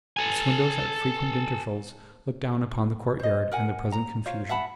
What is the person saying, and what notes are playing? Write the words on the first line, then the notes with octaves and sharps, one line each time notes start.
Its windows at frequent intervals looked down upon the courtyard and the present confusion.
A4 G#5
C5 D#5
A#4 F#5 G#5
A#5
F4 C5 C#5 F5
E5 F#5 A5 B5